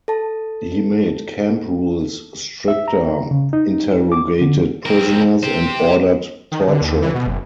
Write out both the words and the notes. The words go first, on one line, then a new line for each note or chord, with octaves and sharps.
He made camp rules stricter, interrogated prisoners and ordered torture.
A4 A5
E5
A#5
C#3
D#4
D6
D3
C4 A#4
G4 C5
D#3
D3
D#2
E3
B2
F#1